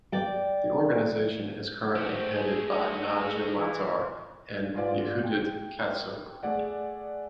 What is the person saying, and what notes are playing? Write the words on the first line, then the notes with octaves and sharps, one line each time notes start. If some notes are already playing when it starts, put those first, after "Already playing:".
The organization is currently headed by Nadia Matar and Yehudit Katsover.
D5 G5
A3 F#4 G4 C5
C2 G#3 G#4
A3 C#4 D#4 F#4
G#4
E3
G#2 G#3 F4 B4 D5
G5
A3 G#4 D5 F#5